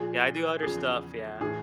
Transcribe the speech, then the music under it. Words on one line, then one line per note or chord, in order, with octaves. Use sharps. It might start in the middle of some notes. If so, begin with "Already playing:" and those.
Yeah, I do other stuff, yeah.
Already playing: A#2 F3 G#4
E2 C#3 F3 G#4
A2 E3 G#4